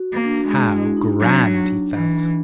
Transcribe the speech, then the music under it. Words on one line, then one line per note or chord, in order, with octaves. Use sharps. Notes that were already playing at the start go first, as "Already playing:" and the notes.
How grand he felt!
Already playing: F#4
A#3
D4
G#3
E4
D#4
F#3 D4
E3